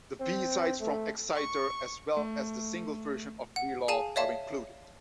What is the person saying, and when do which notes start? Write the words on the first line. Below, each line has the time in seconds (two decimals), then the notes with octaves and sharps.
The B-sides from "Exciter" as well as the single version of "Freelove" are included.
0.20 C4
0.80 A3
1.35 C#6
2.17 A3
3.56 F#5
3.88 G#4 F5 G#5 A5 D#7
4.16 C#5 D5 E5 F5 A5